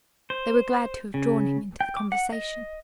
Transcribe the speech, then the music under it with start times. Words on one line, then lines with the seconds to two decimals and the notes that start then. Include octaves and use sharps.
They were glad to have drawn him into the conversation.
0.30 C5
1.14 C#3
1.81 G5
1.97 D6
2.12 F#5
2.32 D#5